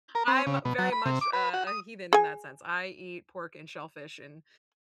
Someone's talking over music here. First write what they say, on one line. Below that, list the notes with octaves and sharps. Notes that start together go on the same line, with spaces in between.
I'm very much a a heathen in that sense, I eat pork and shellfish and,
A#4
C4
C#3
B2
F#3
B5
C3
D6
B4
F#4
D#6
G#4 G#5